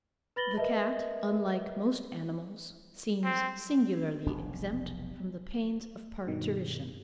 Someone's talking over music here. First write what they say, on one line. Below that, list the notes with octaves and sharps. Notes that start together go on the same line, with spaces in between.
The cat, unlike most animals, seems singularly exempt from the pains of parturition.
B4 B5 A6 A#6 F#7 G7
A#4 B4 D#5 E5 A5
C4
F1 B1 B3 D4
G2 B2 D#3